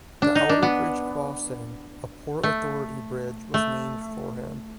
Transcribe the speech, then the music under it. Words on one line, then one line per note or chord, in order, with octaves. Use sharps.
The Outerbridge Crossing, a Port Authority bridge, was named for him.
D4
D#4
D4
B3
A3
A3